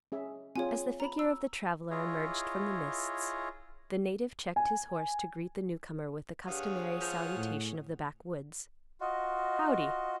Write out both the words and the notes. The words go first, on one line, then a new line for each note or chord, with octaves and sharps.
As the figure of the traveler emerged from the mists, the native checked his horse to greet the newcomer with the customary salutation of the backwoods, "Howdy."
C#4 G#4 E5
C4 F4 G#4 C#5 G#5
A#5 B5
E6
E4 F4 G#4 C#5 D#5
G#5
G2 G#4 C#5 F5 F#5 D#6
F3
A2
F4 F#4 D#5